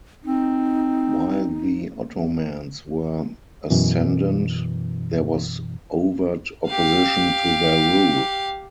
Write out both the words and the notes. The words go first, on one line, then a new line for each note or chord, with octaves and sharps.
While the Ottomans were ascendant, there was overt opposition to their rule.
C4 D#4
F#2 B2 E3
G4 F5